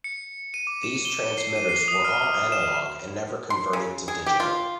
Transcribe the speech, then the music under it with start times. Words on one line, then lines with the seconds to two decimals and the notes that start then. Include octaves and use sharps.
These transmitters were all analog and never converted to digital.
0.04 C#7
0.54 D#7
0.67 D6
0.83 E7
1.05 G7
1.38 C7
1.56 D#7
1.69 C7
1.88 D#6
2.05 F6
2.52 E7
3.50 C6
3.73 C#3
4.08 G#4
4.26 G4
4.40 F4